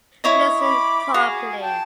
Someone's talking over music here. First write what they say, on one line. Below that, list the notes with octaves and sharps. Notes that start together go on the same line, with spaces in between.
Listen properly.
E4 C#5 D#5
B5 D6
F#4 G#4 F5
G5 A5